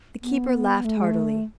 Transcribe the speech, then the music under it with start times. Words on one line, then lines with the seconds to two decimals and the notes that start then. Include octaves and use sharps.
The keeper laughed heartily.
0.23 B3
0.84 A3
0.97 G#3
1.08 A3